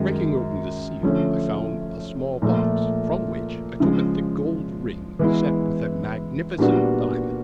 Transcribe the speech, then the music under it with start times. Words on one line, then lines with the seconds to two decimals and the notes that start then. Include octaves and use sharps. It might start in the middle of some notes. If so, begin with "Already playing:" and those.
Breaking open the seals, I found a small box, from which I took a thick gold ring, set with a magnificent diamond.
Already playing: F#2 D#3 G#3
1.03 D3 F3 A3 C#4
2.42 A#2 F3 A3
3.80 C#3 F3 G#3
5.19 E3 G#3 B3 E4
6.58 A#2 G3 B3 D4 F#4